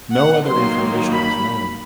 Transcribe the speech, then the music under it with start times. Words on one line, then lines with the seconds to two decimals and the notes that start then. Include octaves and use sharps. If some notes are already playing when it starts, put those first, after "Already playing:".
No other information is known.
0.14 F#5
0.47 D#3 F#3 A#3 C6
1.12 B5